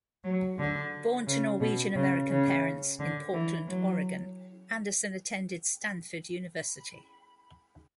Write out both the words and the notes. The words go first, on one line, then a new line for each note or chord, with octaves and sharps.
Born to Norwegian-American parents in Portland, Oregon, Andersen attended Stanford University.
F#3
D3
C#3
B2
C#3
C#3
D3
E3
F#3